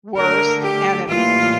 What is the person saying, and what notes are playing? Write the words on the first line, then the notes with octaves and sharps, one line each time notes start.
worst enemies
D3 A3 A#4
G4
A2 E3 G3 A#3 F4